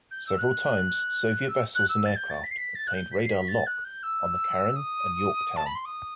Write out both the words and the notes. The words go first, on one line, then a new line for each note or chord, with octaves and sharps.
Several times, Soviet vessels and aircraft obtained radar "lock" on the "Caron" and "Yorktown".
G6
E6
F#6
E6
F#6
E6
A6
G6
A6
B6
C7
B6
A6
F#6
G6
B6
C7
B6
A6
F#6
G6
E6
D#6
A5
B5
C6
D#6